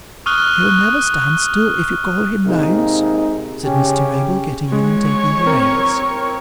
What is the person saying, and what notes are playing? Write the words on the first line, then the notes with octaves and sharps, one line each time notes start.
'He'll never stand still, if you call him names,' said Mr Abel, getting in, and taking the reins.
C#6 D#6 F6 F#6 G7
C3 G#3 A#3 D#4
C#3 C#4 G4
G#3 C#5
C4 A#4